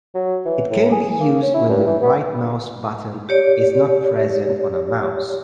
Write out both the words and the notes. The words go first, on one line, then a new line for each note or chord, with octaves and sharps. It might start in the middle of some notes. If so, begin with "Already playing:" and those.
It can be used when the right-mouse button is not present on a mouse.
F#3
E3
A2
G#4
A#3
C#4
E4
G2
E3
B3
G4 C#5 D5